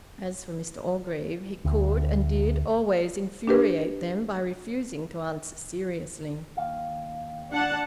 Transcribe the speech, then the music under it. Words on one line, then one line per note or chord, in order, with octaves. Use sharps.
As for Mr Orgreave, he could and did always infuriate them by refusing to answer seriously.
D2
D4 G4 B4
D#2 F5
D4 F#5 A5